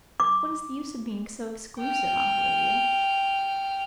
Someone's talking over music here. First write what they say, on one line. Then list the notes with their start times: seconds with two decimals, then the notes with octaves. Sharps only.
What is the use of being so exclusive, Aunt Olivia?
0.20 D6
1.80 G5 F6